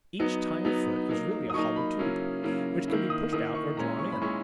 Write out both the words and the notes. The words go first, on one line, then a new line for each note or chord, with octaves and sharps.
Each tiny foot is really a hollow tube, which can be pushed out or drawn in.
F#3 B3 D#4
F#3 B3 D#4
F#3 A#3 D#4
D#6
F#3 A#3 D#4 C#6
B5
C#3 F#3 A#3 C#4 E4
C#3 F#3 A#3 C#4 E4
D#3 A#3 E4
D#6
D#3 A#3 E4 D#6
C#6
A#2 G#3 C#4 E4 A#5
C#6
B5
A#2 G#3 C#4 E4 C#6